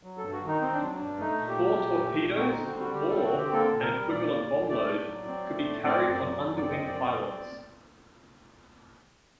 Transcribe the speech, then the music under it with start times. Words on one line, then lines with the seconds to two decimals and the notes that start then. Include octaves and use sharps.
Four torpedoes or an equivalent bomb load could be carried on underwing pylons.
0.03 F#3
0.18 G2 A4
0.32 F#4
0.42 D#3
0.48 D#4
0.61 C4 D#4
0.73 D4
0.81 F#3
0.96 D4
1.01 G2
1.19 A3 D#4
1.39 A#2
1.48 G4
1.59 F#3
1.78 A#2
1.97 A3
2.17 A#2
2.35 C4 F#4
2.51 D3 D#4
2.65 F#4
2.74 G3
2.80 F#4
2.95 D3 G4
3.09 C4 A4
3.24 F#4
3.33 D3 G4
3.52 A#3 A4
3.71 A#2
3.82 A#4
3.91 G3
4.10 A#2 D5
4.30 A#3
4.49 A#2
4.69 A3 D5
4.88 A2
5.07 F#3
5.26 C4
5.46 A3
5.66 A2
5.84 C4 D5
6.05 F#2
6.13 D5
6.23 F#3
6.43 F#2
6.57 D5
6.63 C4
6.72 D#5
6.82 F#2 D5
7.00 C4